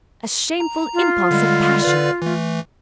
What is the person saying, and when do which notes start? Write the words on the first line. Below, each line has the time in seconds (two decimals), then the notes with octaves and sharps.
A shameful impulse of passion.
0.60 A#5
0.94 F4
1.31 D3 G3 G#3
1.82 D3 B4 D5
2.22 E3 A3